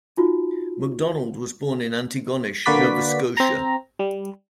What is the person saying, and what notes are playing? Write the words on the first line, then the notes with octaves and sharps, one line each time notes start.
MacDonald was born in Antigonish, Nova Scotia.
D#4 F4 F#4
D3 A#3 F#4 B4 D5 B6
C4 A#5
G3